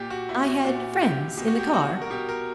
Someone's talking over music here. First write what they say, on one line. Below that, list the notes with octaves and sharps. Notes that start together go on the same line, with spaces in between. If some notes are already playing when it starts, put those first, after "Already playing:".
"I had friends in the car."
Already playing: A#2 G4
F#4
A#2 E4
F#4
A#2 F#4
A#2 G4
B2 G4
F#4
G4
B2 F#4
A#4
B2 G4
A#4